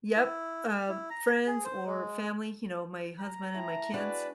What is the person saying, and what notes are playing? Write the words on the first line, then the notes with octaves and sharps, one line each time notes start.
Yep. Um, friends or family, you know, my husband and my kids
E4
E4
A#5
G#4
C5
G#3
A#5
A3 E4 G5
G#3 D4 F#4 B4 A5